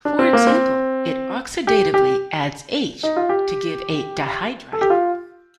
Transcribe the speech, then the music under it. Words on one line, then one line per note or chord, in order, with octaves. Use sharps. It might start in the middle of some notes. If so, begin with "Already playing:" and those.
For example, it oxidatively adds H to give a dihydride.
D4
C4
A#3
C4
G4
G4
D#4
F4
G4
A4
G4
F4